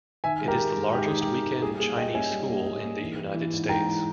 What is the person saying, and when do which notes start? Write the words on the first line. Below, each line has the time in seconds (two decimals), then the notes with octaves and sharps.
It is the largest weekend Chinese school in the United States.
0.24 D#3 E5 G#5
0.41 G#3
0.48 G4 A#4
0.59 G#3
0.77 G#3
0.93 G#2 G4
1.07 D#3 G#4
1.21 G4
1.28 D#3
1.44 G#2
1.62 G3 G#4
1.80 A#3 G#4
1.97 A#3 D#5 G5
2.13 C#4 E5 G#5
2.31 G3
2.49 A#3
2.66 A#3
2.82 A#3
3.00 E3
3.18 E3
3.34 E3
3.52 G#2
3.69 G#2 G5 A#5
3.87 E3